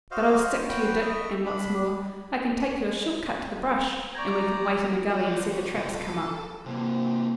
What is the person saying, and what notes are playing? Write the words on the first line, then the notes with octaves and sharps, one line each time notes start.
But I'll stick to you, Dick, and, what's more, I can take you a short cut to the brush, and we can wait in a gully and see the traps come up.
F#4 C5 D#5 F5
F#4 B4 G5
D#5 E5
D4 B5
D5 A#5 C#6 G6 G#6
F#4
F#4 D5
F#4
C#2 G3
A4
C3 A#3